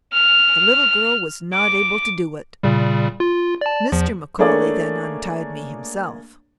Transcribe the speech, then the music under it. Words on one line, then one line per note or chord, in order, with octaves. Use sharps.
The little girl was not able to do it; Mr. McCaully then untied me himself.
F6
D6
A#2 C#3 G3
F4
D5 A5
E2 F3
A3 A#3 D4 G#4 C#5 D5